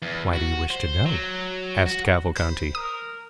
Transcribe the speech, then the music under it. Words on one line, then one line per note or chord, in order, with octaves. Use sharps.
"Why do you wish to know?" asked Cavalcanti.
E2
F#4
C5
F#3
F#4
C5 B5
A#4 D#6